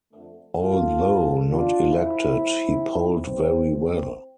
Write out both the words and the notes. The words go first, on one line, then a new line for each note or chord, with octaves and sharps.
Although not elected, he polled very well.
F2 D3 A3
A1 A2 E3 G3 B3 F4 A4
F2 C3 F3
A1 A2 E3 D4 F4
A1 A2 F3 A3 C4 E4
B1 A2 E3 A3
A1 A2 G3
C2 B2 G3 B3 C4
A2 F3 A3 C4